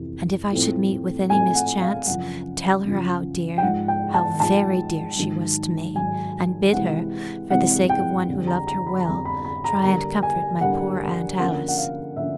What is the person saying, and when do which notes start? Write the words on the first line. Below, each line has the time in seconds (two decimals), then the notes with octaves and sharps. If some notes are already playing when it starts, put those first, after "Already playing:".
And if I should meet with any mischance, tell her how dear, how very dear, she was to me, and bid her, for the sake of one who loved her well, try and comfort my poor aunt Alice.
Already playing: F2 C3 E3
0.52 A2 F3 A3 C4
1.29 A2 F3 A3 C4 G#5
1.55 F#5
1.82 F5
2.07 F#2 C#3 F3 F#5
2.85 F#2 C#3 F3
3.58 G5
3.62 G#2 F3 G#3 F#5
3.88 G5
4.14 A5
4.40 G#2 F3 G#3 A5
5.17 G#2 D#3 F#3
5.95 G#2 D#3 F#3 G#5
6.73 C3 E3 G#3 C4 F#5
7.50 C3 E3 G#3 C4 F#5
7.90 G5
8.28 F2 D3 G3
8.47 A#5
8.67 A#5
8.87 B5
9.06 F2 D3 G3 A#5
9.25 B5
9.45 B5
9.64 A#5
9.83 D3 G3 A#3 D4 A#5
10.23 G#5
10.61 D3 G3 A#3 D4 F#5
11.39 D3 F3 A#3 C#4 F#5
11.68 F#5
11.78 F5
12.16 D3 F3 A#3 C#4 E5